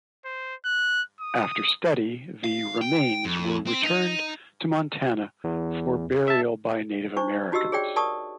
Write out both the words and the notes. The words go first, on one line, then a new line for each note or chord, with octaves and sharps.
After study, the remains were returned to Montana for burial by Native Americans.
C5
F#6
D#6
F5
G5
F2
C4
D#4
E2
E5 A5
D4 D#4 C5 C#6
D#4 F#4 G4 D#5 E6
G#4 C#5 D5 G5
A#4 D5 A5 C#6 D#6